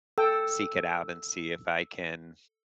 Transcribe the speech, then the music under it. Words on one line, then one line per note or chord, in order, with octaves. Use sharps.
seek it out and see if I can
A4 G5 E6